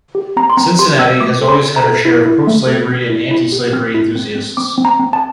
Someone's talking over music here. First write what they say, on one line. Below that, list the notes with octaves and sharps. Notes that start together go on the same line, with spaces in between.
Cincinnati has always had her share of pro-slavery and anti-slavery enthusiasts.
G4
C4 A#5
C6
C4 A#5
G4 C6
C4 E6
A3 D6
A4
C6
A4
A#5
A4
E4
E4
A3
A4
C4
E4
E4
G4
C4 F6
E4
C4
C4
C4 D6
C4
A#5
C4
A5